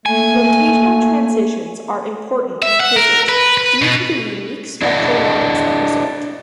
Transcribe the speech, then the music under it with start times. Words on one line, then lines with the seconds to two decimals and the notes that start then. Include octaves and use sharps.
Rotational transitions are important in physics due to the unique spectral lines that result.
0.06 A3 A#3 G#5
2.62 E5
2.80 F#5
2.96 A#4
3.29 B4
3.57 B4
3.82 B2
4.82 D4 E4 G#4 D5 D#5 F#5